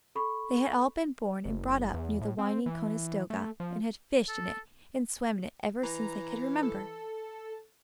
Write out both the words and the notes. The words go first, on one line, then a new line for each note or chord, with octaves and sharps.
They had all been born and brought up near the winding Conestoga, and had fished in it and swam in it ever since they could remember.
A4 B5 C#6
F#1
E2
A2
C4
E3
A3
F3
A4
E3 A#5
A4